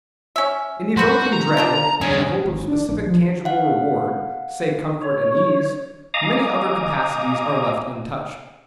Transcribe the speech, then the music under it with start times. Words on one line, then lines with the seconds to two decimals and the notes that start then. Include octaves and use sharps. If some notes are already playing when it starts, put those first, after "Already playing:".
In evoking dread and hope of specific tangible reward--say comfort and ease--many other capacities are left untouched.
0.36 C#4 E5
0.97 E3 F#4 B4 C5
1.33 A#5
1.57 F3 G3 D4
2.01 G2 C#4 G#4
2.46 G#1
2.68 D4
2.89 A#1
3.07 F3
3.45 F5 F#5
5.01 C#5
6.14 D#5 F5 G#5 A#5 D6 D#6